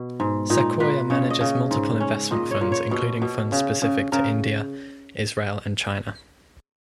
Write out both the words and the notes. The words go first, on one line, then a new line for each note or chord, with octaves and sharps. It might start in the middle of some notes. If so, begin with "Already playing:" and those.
Sequoia manages multiple investment funds including funds specific to India, Israel, and China.
Already playing: B2
G#2
A#2 D#4
A#2 B4
C#3 C#5
D#5
C#3
G#2
C#4
A#2 D#5
C#5
A#2
C#5
B2
B2
C#3
C#3
C#3 A#4